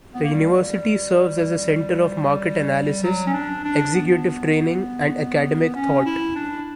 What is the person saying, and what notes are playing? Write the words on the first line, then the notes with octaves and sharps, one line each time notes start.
The university serves as a centre of market analysis, executive training and academic thought.
B3
A#3
G3
F#3
C#4
D4
D4
B3
C#4
E4
D4